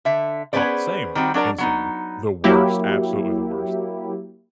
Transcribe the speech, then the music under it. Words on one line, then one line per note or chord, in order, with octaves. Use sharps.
Oh same, insane, the worst, absolutely the worst.
D3 E5
B3 C#4 G#4 B4 C5 D5
D#3 G3 C4 F#4
F#3 D4 A#4 D5
F#3 B3 D#4
F#3 A#3 E4 G4